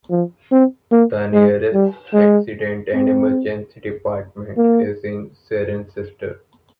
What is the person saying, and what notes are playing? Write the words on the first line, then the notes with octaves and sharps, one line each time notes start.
The nearest Accident and Emergency Department is in Cirencester.
F3
C4
A#3
G#3
G3
G#3
C4
A#3